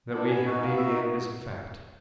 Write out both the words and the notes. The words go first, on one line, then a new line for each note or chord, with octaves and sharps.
That we have deviated is a fact.
B3 D4
B3 G#5
D#4 F#4
B3 F5
E5
D#4 F#4